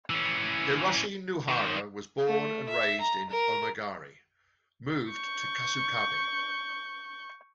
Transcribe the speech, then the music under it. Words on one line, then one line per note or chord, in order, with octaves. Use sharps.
Hiroshi Nohara was born and raised in Omagari, moved to Kasukabe.
E3 C#4
D#3 C5
A3
E5
A#5
A#4
C#6 G6